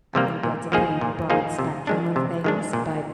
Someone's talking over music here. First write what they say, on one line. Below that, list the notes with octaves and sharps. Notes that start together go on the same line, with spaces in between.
I think that's a pretty broad spectrum of things, but
C3 G3 A#3
A#2
F3 A#3 D#4 G#4
A#2
F3 A#3 D#4 G#4
C3
D#3 G#3 D4
C3
D#3 G#3 D4
A#2